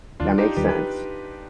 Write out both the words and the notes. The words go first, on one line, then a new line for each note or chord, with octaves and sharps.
That makes sense.
D#2 D#3 G3 D4 F4
D#4 G4
D#2 D#3 G3 G4 B4
G4 B4